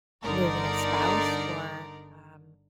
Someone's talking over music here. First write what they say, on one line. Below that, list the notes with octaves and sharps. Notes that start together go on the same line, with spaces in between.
losing a spouse or, um,
G1 D3 D#4 A#4 D5 A#5